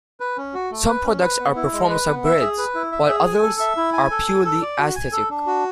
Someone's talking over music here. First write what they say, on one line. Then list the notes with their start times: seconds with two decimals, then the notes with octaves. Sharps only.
Some products are performance upgrades, while others are purely aesthetic.
0.20 B4
0.38 C#4
0.54 F#4
0.71 A3
0.88 B4
1.05 C#4
1.22 B4
1.40 B3
1.56 E4
1.73 G#3
1.90 B4
2.07 B3
2.24 E5
2.40 G#4
2.58 B4
2.75 E4
2.92 E5
3.09 G#4
3.26 G#5
3.43 A4
3.60 E5
3.77 E4
3.93 G#5
4.11 A4
4.28 G#5
4.45 A4
4.62 D5
4.78 F#4
4.96 G#5
5.12 A4
5.30 D4
5.47 F#4